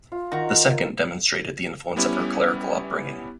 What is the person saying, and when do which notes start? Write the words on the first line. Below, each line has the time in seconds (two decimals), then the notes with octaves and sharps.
The second demonstrated the influence of her clerical upbringing.
0.12 F4
0.32 D#3 F#4 A#5
1.96 G3 B3 C#4 E4 G4